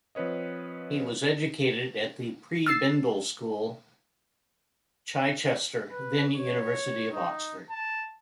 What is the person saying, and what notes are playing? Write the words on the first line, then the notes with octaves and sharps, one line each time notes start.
He was educated at The Prebendal School, Chichester, then University of Oxford.
F3 C4 B4 C#5 D#5
E6 A6 C7
B4
C#5
D#4
A5